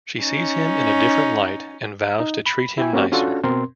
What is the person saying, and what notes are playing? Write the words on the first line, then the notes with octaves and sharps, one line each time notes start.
She sees him in a different light and vows to treat him nicer.
C#4 D#4
D#4
B5
E4 G5 G#5
A#3 C4 C#4 F#4 G4
C#4 D4 F4 F#4 A4
B2 C4 A#4 C6